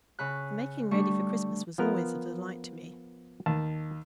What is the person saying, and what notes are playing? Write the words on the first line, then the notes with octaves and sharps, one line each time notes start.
The making ready for Christmas was always a delight to me.
C#3 B5 F#6
D3 G3 A3 D4 C#6
F3 B3 A#4
D#2 A5